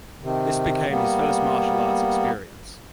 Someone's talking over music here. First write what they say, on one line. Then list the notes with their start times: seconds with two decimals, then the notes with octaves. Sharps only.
This became his first martial arts experience.
0.22 C3 D#3
0.90 G3 A#3 B3